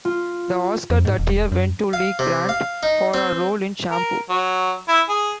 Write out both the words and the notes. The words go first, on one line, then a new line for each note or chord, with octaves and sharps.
The Oscar that year went to Lee Grant for her role in "Shampoo".
F4
F2
G#2
E1
F#2
F5
C3
F5
D#4
C4
A#4
F#3
E4
G#4